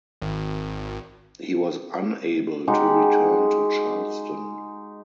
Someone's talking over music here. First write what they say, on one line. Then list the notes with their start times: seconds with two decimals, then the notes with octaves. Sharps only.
He was unable to return to Charleston.
0.22 G#1
2.68 G#3 D#4 F#4 G4